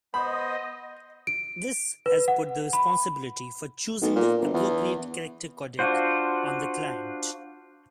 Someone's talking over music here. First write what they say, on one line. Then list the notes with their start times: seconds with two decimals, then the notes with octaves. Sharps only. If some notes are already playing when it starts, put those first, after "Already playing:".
This has put the responsibility for choosing the appropriate character codec on the client.
0.14 B3 C5 D#5 B5
1.27 D7
2.06 B4
2.28 F#5
2.73 B5
4.02 B1
4.16 A#2
4.41 G1
4.54 E2
5.79 D4 F4 F#4 C5